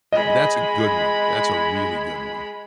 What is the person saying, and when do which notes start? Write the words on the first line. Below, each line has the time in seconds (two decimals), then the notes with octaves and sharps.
but that's a good one, that's a really good one.
0.13 G#3 D#5 B5